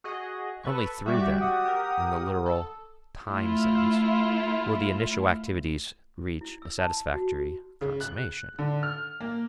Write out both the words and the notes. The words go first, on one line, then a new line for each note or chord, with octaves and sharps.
Only through them, in the literal time sense, will the initial activities reach a satisfactory consummation.
F#4 G#4 D#5
A4 B4 C#6
G3 F#4 G4 D5 E5
F#5 D#6
G4 A#4
A4
A3 E4 F4
E4
E6
A5
F#4
C#3
F#6
D3
F6
A#3